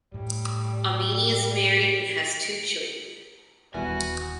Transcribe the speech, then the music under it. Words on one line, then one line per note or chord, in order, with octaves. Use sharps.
Amini is married and has two children.
A2 G3
D#1 E2 G3 B3 E4 F#4 G#5